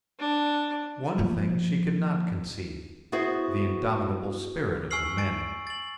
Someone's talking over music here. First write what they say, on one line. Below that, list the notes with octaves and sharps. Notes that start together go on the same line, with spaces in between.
One thing she could not conceive--the indomitable spirit of the men.
D4
F3 A#3
B3 E4 F#4 G#4 C5
G#5 C#6 E6 F6 C7 F#7
G#5 A6 D7
A6 F#7